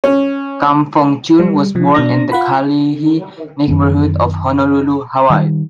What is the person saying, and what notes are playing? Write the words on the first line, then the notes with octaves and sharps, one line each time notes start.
Kam Fong Chun was born in the Kalihi neighborhood of Honolulu, Hawaii.
C#4
G3
C3 F3
B2 D4 A#6
F4 F#5 B5
F#2 D#3 B3
D#3 G3